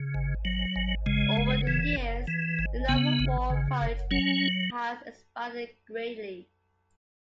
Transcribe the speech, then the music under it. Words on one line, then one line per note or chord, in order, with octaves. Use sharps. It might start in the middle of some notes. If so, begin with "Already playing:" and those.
Over the years, the Naval War College has expanded greatly.
Already playing: C#3
G#1
F#3
G#1
C#3 G#3
F#1
E3
F#1
E3
G#1
C#3 B3
G#1
C#3
F#1
F#3 C#4